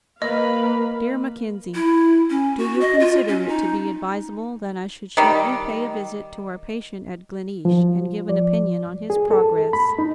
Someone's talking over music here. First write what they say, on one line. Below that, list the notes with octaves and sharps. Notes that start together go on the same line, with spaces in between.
Dear Mackenzie: Do you consider it to be advisable that I should shortly pay a visit to our patient at Gleneesh and give an opinion on his progress?
A#3 A#4 B4 D#5 F5 B5
E4
C#4
F#4
D#5
F4
C#4
D#4
D#3 G3
F3
D5
G#4
A4
B5
D#4